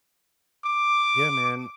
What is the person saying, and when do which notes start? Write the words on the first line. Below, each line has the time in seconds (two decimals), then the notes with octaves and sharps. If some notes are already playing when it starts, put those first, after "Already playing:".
Yeah, man.
0.65 D6